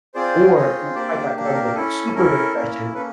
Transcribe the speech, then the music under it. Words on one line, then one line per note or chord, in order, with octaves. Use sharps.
or, you know, if I got caught in, like, a super depression,
C4 F4 G#4 C5 D5
C4 F4 G#4 C#5 D#5
A#3 D4 G4 C5 D5
A#3 D4 G4
A4
A#4
A#4
C#4 E4 A4
C#4 E4 A4 A#4
A#3 C#4 E4
A#3 C#4 A4 B4